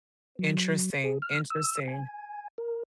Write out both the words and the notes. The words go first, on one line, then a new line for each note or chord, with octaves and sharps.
Interesting, interesting.
F#3
G#4
F6
E6
G#5
A#4